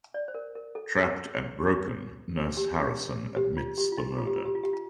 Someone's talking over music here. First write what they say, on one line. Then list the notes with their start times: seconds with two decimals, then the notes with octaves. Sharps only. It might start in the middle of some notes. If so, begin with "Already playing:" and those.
Trapped and broken, Nurse Harrison admits the murder.
0.14 D5
0.28 C5
0.34 A#4
0.55 A#4
0.75 A4
2.57 G4
3.36 G4
3.57 F4
3.78 G4
3.92 F4
3.97 D#4
4.18 F4
4.27 G4
4.36 F4
4.45 G4
4.55 F4
4.63 G4
4.73 F4